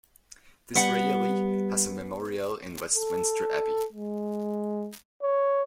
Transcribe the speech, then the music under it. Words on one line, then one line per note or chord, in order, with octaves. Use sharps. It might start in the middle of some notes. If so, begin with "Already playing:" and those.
Disraeli has a memorial in Westminster Abbey.
G3 B3 F#5
A4
G#3
C#5